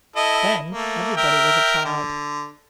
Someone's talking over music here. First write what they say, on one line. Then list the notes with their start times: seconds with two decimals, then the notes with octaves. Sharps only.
Then, everybody was a child.
0.16 E4 A4 D#5
0.71 A3 A#3
1.17 A#4 E5 G5
1.85 D3